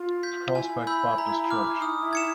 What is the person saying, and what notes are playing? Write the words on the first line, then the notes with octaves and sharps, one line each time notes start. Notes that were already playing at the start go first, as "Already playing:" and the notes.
Prospect Baptist Church.
Already playing: F4
G6 B6
E4 G#5
B5 E6 G6
A#5
D6 F6
D#4 D#6
E4
G#6 C#7 E7